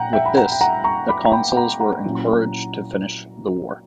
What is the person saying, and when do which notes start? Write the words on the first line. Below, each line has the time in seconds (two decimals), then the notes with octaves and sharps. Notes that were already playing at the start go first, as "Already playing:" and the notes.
With this, the consuls were encouraged to finish the war.
Already playing: A#2 F#5 G5 A#5
0.13 E5 G5
0.26 B5
0.37 F#5 A#5
0.52 G5
0.61 F#5 A#5
0.84 A#5 C#6
1.09 B5 D6
1.26 A#5
1.33 G5 B5
1.56 F#5 A#5
1.80 F#5 A#5
2.05 A#2 F#3 C#4 E4